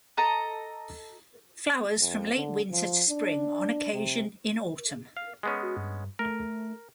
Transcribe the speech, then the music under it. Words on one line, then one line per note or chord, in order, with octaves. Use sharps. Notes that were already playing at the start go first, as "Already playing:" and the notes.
Flowers from late winter to spring on occasion in autumn.
A4 D#5 A#5
F2
D3
F3
D4
C3
F5
G#3 B3 C#4
F#4
G2
A3 A#4